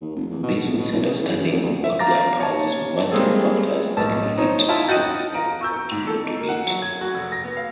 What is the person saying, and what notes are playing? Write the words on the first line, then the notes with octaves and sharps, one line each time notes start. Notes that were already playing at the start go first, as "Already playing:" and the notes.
This misunderstanding or gap has multiple factors that lead to or contribute to it.
D#2
F1
E2
B2
B1
B2
B1
C#3
E3
E3
F2
D2
E5
F5 A#5 D6 A6 A#6
C#5 A5
G3 G#3 A#3 C4 G#4 A4
B1 A2 A5
D#4 C5 C#5
E4 F4 A5
D#4 F#4 G5 A6 D#7
F5 A#5 D7
C#6 E6 G6
G#2
A4
D#4
A#3
F#5
F#3
G#6
F#4
F1
A#6
B3
F5